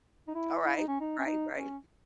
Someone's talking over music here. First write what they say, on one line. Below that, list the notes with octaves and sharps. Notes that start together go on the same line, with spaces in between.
Alright. Right, right.
D#4
E4
E4
D#4
C#4
D#4
C#4
D#4
C#4